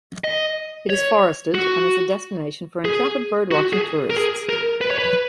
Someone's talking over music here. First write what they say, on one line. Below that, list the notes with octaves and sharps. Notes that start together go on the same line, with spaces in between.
It is forested, and is a destination for intrepid bird-watching tourists.
D#5
C#5
F#4
G#4
F#4
G#4
A#4
G#4
A#4
B4
C#5
B4